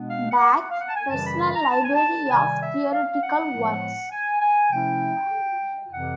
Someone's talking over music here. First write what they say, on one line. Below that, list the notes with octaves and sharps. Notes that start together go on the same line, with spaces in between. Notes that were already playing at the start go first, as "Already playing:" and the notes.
Bach's personal library of theoretical works.
Already playing: B2 G#3 B3 D4
F5
F#5
F#5
F5
F#5
A5
G#5
F#2 C#3 E3 G3 A5
B5
B5
A#5
A5
G#5
A5
C3 D#3 G3 G#5
E5
F5
F#5
A2 F3 G#3 B3 E4
G#5
G#5
C3 F3 A3 C#4 E4 G5
F2 C3 E3 F#5